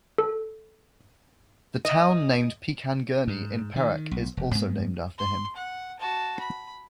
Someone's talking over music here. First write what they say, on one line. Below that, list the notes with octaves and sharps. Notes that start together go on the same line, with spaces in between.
The town named Pekan Gurney in Perak is also named after him.
A4
D#5
G#2
D#3
B1
F1
G2 G#3 A#3 B3
C6
F#5
F#4 A5
B5